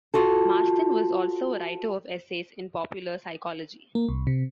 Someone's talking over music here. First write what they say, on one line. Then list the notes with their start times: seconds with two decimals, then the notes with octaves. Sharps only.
Marston was also a writer of essays in popular psychology.
0.14 F4 F#4 A4
3.95 A#3
4.09 C2
4.27 C3